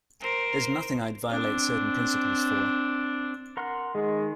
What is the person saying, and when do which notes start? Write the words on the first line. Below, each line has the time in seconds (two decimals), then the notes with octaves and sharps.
There's nothing I'd violate certain principles for.
0.20 A#4 C5
1.29 C4 D4
3.57 A#4 F#5 C6
3.95 D#3 G#3